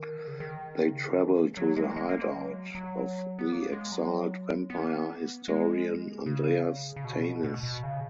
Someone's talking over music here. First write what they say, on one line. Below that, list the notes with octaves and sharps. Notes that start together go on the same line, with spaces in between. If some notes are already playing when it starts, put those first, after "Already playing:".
They travel to the hideout of the exiled vampire historian Andreas Tanis.
Already playing: D#3
C#3
D#3
C#3
D#3
E3
F#3
G#3
G#3
A#3
G#3
F#3
F#3
B3
A#3
G#3
F#3
B3
A#3
B3
G#3
C#3
C#3
B2
B2
B2
C#3